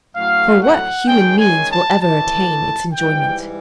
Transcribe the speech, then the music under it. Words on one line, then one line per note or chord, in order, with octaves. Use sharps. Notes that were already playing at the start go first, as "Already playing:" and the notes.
For what human means will ever attain its enjoyment?
A2 F#3 A3 C#4 F5
F#5
D#3 G#3 C#4 G5
G#5
A5
A2 E3 A3 A5
G#2 E3 G3 G5